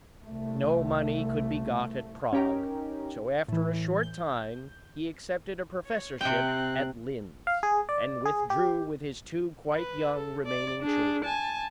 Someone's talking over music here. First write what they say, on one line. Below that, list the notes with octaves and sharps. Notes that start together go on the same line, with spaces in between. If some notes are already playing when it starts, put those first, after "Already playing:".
No money could be got at Prague, so after a short time he accepted a professorship at Linz, and withdrew with his two quite young remaining children.
C2 A3
C#4 D#4 G4 A#4
A2 E3
G6
C#5
C3 C4 G5 F#6
F5
G#4
D5
G#4
G4
B4
A4
D5
D4 G#4
G#5 A5